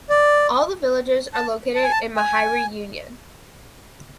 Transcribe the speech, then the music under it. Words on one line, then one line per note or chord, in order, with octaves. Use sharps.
All the villages are located in Mehari Union.
D5
A5
A5
G#5
A5
G#5